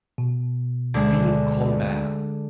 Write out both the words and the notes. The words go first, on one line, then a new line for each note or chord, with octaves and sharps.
Vive Colbert!
B2
D2 D3 G#3